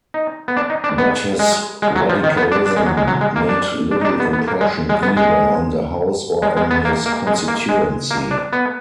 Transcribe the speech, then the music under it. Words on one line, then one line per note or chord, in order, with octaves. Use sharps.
But his Radicalism made little impression either on the house or on his constituency.
D#4
B3
D4
D#4
D4
B3
G#3
G#3
F#3
F3
D#3
B3
D4
D4
G#3
F#3
G#3
F#3
G#3
A#3
D4
D4
D#4
D4
B3
B3
A#3
G#3
G#3
B3
G#3
G#3
G#3
B3
A#3
A#3
G#3
A#3
G#3
A#3
D4
B3